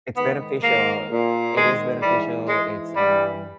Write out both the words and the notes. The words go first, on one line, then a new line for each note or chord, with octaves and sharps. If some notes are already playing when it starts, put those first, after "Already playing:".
it's beneficial it is beneficial, it's um,
G#2 D#3 B3
G#2 D#3 A#3
A#2
G#2 D#3 G#3
G#2 E3 G3
G#2 E3 G#3
G2 E3 G3